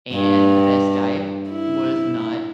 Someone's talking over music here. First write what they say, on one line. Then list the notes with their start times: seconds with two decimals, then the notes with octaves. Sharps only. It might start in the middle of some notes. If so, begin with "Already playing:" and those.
and the best diet was not
0.13 G2
1.50 E4